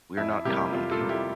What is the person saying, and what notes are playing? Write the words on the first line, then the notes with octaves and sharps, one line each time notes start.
We’re not common people.
F2 E4
C3 G3 A#3 E4 G4
F2 F4
F4 A4
C3 G3 A#3
E4 G4